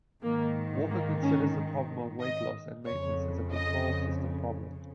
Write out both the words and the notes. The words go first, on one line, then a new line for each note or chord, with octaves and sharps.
Walker considers the problem of weight loss and maintenance as a control system problem.
G#2 D#3 A#3
A#3
C#4
D#5
F2 C#3 C#5
D#5